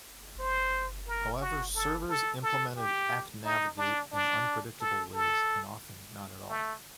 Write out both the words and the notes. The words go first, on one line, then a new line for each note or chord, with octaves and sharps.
However, servers implemented accNavigate in unpredictable ways and often not at all.
C5
A#4
F#4
A4
A4
A4
G4
D#4
D4
D4
A4
A4
A3